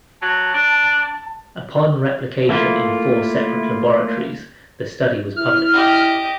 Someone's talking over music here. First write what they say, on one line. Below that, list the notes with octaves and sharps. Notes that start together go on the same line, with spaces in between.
Upon replication in four separate laboratories the study was published.
F#3 A5
D4
A3 A#3 E4 F4
E4 F6
G4 D#5